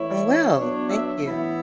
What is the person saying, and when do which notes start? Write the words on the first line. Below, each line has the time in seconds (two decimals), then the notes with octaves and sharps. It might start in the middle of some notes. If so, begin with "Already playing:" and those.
I'm well, thank you.
Already playing: E3 A3 E4 C#5
0.55 F#3 B3 D4
0.89 E5
1.23 A2 E3 B3 E4 E5